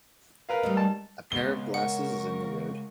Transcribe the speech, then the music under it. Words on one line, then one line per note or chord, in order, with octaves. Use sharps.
A pair of glasses is in the road.
A#4 B4 F5
G3 A3 D#4
A5
C#2 B3 G7
A#4 F#5 C#6